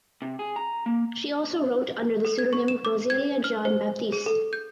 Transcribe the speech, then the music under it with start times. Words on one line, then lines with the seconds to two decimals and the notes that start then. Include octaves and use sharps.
She also wrote under the pseudonym Roselia John Baptiste.
0.22 C3
0.39 G#4
0.56 A#5
0.86 A#3
2.25 A4
2.39 G#6
2.53 C#6
2.68 E7
2.85 D6
3.10 G#6
3.44 F6
3.65 C5
4.12 G#4
4.26 A4
4.53 G6